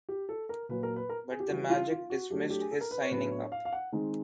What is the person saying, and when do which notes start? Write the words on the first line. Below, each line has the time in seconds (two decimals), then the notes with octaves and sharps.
But the Magic dismissed his signing up.
0.09 G4
0.29 A4
0.49 A#4
0.69 A#2 F#3 A#3 B4
0.83 A#4
0.96 B4
1.09 A#4
1.30 G#4
1.40 G4
1.50 C#3 E3 G3 F#4
1.70 F4
1.91 F4
2.10 F#4
2.31 F#3 A3 D4 G4
2.50 G4
2.61 G#4
2.71 A4
2.81 A#4
2.91 B4
3.01 C#5
3.11 A2 F#3 B3 D4 B4
3.31 C#5
3.52 F5
3.65 F5
3.73 F#5
3.92 D#3 G#3 C4 D#4